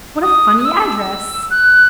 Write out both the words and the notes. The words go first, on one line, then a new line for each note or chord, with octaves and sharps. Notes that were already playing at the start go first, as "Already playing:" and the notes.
"What a funny address!"
D#6
D#6
E6
F#6